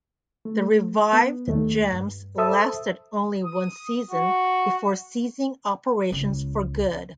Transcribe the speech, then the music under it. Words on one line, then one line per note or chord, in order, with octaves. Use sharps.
The revived Gems lasted only one season before ceasing operations for good.
A3
B3
D#2 D#3 A3
G2
A4 C5 E5 A5 D#6 E6
D#6
F#4
C#2